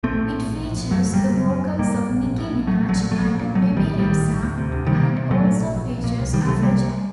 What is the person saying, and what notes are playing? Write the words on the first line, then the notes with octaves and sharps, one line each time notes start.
It features the vocals of Nicki Minaj and Bebe Rexha, and also features Afrojack.
A#1 A3 C4
A2
A#1
A#1
A#1
A2
F#2 F#3 A3
F#1
G3 A#3
F#1
F#2
F#2
F#2
A2 G3 A#3
A2
A#1
A#1
A2
A#1
A#1 F#3 A3
A#1
F#3 A3
A#2
A#1 F#3 A3
A#1
A#2
A2 F#3 A3
A#1
D#3 G3
A2
A#1 D#3 G3
A2
A2
D2
C3
D2
C3 D#3 G3
C3
C3
A#2 F#3 A3
A#2
A#1
A#1
A#1
A#2
C2
C2 D#3 G3
C3 F#3 A3
C2 G3 A#3
C2